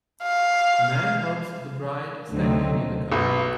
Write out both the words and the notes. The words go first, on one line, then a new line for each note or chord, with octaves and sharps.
A man helps the bride standing near the car.
F5
D2 D3 F#3 A3 C4 D#4
B1